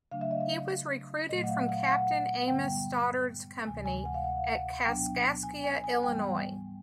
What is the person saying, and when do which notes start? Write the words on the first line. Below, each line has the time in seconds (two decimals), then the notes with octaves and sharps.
He was recruited from Captain Amos Stoddard's Company at Kaskaskia, Illinois.
0.12 C#3 F#3 A3 D4 F5
0.21 E5
0.31 D#5
0.41 E5
1.29 A#2 F#3 A3 D#5
1.44 F#5
1.49 F5
1.69 F#5
1.88 F#5
2.48 G2 D3 G3 B3 G5
3.67 D2 C3 E3 G#3 G#5
3.86 G#5
4.05 F#5
4.14 F5
4.24 F#5
4.85 B2 F#3 B3 D4 G5
5.43 G#5
5.64 G#5
5.84 G#5
6.03 G#2 E3 G3 B3 G5